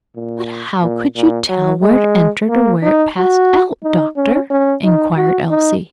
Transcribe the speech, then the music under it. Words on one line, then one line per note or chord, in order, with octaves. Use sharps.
"But how could you tell where it entered or where it passed out, doctor?" inquired Elsie.
A#2
A#2
A#2
F#3
G#3
A#3
D#4
F#4
D#4
C#4
C#4
D#4
F#4
D#4